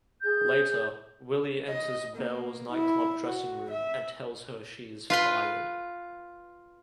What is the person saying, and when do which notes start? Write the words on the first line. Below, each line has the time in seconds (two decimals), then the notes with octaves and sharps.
Later, Willie enters Belle's nightclub dressing room and tells her she is fired.
0.22 G#4 G6
1.68 D#5
2.16 A#3
2.71 E4
3.25 F#4
3.69 E5
5.10 F4 B4 C6